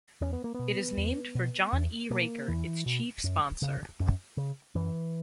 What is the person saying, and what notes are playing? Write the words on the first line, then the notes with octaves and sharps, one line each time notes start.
It is named for John E. Raker, its chief sponsor.
E2 C#4
B3
A#3
B2 B3
E2
B2
E2
B2 A#3
E2 E3
B2
F#2
C#3
F#2
C#3
F#2 E3